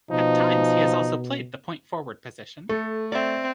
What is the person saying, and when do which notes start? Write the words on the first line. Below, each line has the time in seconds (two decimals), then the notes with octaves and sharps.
At times he has also played the point forward position.
0.11 B2 F3 D#4
2.69 A3 A4
3.12 C4 D5 E5